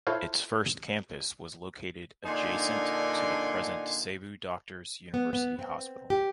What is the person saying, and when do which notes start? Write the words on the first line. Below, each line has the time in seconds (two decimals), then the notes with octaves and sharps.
Its first campus was located adjacent to the present Cebu Doctors' University Hospital.
0.07 E4 F4 A4 C5 C#5 F5
2.25 A#2 D3 D4 D#4 G#5 C6
5.14 B3
5.33 B3
5.59 C4
6.10 G4